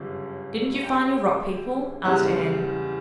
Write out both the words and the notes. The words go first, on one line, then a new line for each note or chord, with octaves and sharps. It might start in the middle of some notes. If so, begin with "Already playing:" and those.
"Didn't you find your Rock People?" asked Anne.
Already playing: G1 F#2 C#3 G3
G5
F#1 E2 C#3 G3 F#5